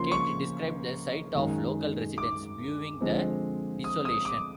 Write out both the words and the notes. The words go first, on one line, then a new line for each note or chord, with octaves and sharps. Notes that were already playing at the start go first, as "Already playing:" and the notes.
Kent described the sight of local residents viewing the desolation.
Already playing: C#3 F3 A#3 C#4 C6
C#6
F#2 D#3 G#3
D6
D3 F3 G#3 C4
D#6
D#6
D6